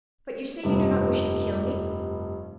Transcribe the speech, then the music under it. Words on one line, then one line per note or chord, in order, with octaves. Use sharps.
"But you say you do not wish to kill me?"
F1 G2